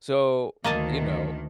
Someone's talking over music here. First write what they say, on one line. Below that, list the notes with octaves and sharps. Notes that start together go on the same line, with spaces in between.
So, you know
D2 D#3 A#3 D#5 A5